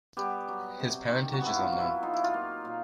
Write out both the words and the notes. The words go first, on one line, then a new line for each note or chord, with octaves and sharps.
His parentage is unknown.
G3 B3 G4
F#3
C3
D#3
F#3 F#4
B3 E4
F4
F#3
E4
D#4 F4
E4
F4
A#3
A#2